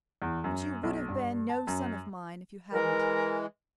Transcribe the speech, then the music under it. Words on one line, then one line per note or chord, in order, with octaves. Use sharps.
But you would have been no son of mine if you hadn't.
E2
F#2
B1
G2
A5
F#2
E3 G#3 A#4